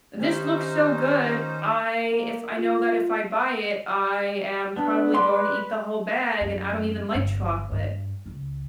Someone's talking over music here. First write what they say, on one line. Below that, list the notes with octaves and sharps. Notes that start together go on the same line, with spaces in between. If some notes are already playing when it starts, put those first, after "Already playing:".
this looks so good, I if I know that if I buy it I am probably going to eat the whole bag, and I don't even like chocolate.
D#3 C#4 D#4 G4 C5 G#5
A#3
F4
B3 D4
B4 D5 C6
F#2
G1
G2
C#2